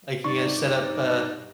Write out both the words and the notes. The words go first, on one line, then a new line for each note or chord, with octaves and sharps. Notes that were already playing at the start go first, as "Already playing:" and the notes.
Like you're gonna set up, uh,
G2 G3 D#4 D5 C#6